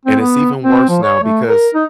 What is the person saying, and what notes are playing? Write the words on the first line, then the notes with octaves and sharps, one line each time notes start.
And it's even worse now because
C4
B3
C4
F3
C#5
A3
A#4
D#4